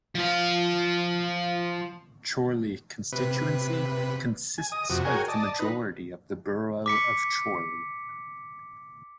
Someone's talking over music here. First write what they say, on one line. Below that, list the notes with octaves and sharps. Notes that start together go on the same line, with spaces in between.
Chorley constituency consists of the majority of the borough of Chorley.
F3 F5
C3 B4
G#5
D#5 D#6
F2 C3 F#4
F#4 G#4 A#4 C#5 G5 G#5
D5 D#5 A5
D#4 B4
D6 B6 C#7